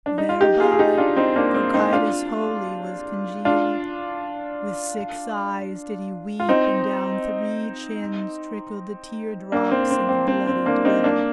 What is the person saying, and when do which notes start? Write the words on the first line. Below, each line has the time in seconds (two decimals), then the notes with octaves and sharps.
Thereby Cocytus wholly was congealed. With six eyes did he weep, and down three chins Trickled the tear-drops and the bloody drivel.
0.06 D4
0.18 D#4
0.29 F4
0.41 D#4 G4
0.60 F4 G#4
0.72 G#4
0.79 D#4 G4
0.98 D4 F4
1.16 C4 D#4
1.36 A#3 D4
1.54 C4
1.74 C4 D#4
1.93 D4 F4
3.45 D4 F4
6.40 F4
6.49 C4 D#4
9.52 A#3 D4
9.71 C4
9.90 C4
10.09 C4
10.28 C4
10.47 C4
10.66 A#3 D4
10.85 C4 D#4
11.04 A#3 D4